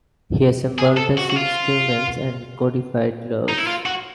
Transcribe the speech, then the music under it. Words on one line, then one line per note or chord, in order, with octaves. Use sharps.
He assembled the Six Tumens, and codified laws.
G#4
A4
F#4
F#4
F4
D#4
E4
F4
F#4